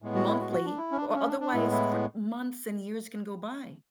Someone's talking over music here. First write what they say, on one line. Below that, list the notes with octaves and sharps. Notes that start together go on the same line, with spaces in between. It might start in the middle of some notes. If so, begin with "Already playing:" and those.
monthly, o otherwise fr months and years can go by.
A2 G#3 B3
F#4
E4
F#4
F#4
D4
E4
C#4
D4
D4
C#4
D4
D4
A2 G#3 B3 E4
E4